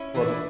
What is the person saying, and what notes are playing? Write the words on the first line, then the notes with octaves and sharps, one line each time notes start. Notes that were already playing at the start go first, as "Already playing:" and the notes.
Well, s
Already playing: C#4 E4
E3
D4
E4